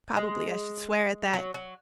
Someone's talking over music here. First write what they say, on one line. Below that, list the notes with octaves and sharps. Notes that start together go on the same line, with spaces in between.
Probably I should swear at that.
G#3
F#3
F#3